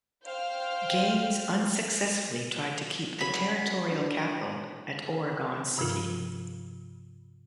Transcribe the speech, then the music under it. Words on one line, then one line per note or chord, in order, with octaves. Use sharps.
Gaines unsuccessfully tried to keep the territorial capital at Oregon City.
C5 F5 G5 F6
F#3 C#4 B5
D4
G2 C3 F3 F4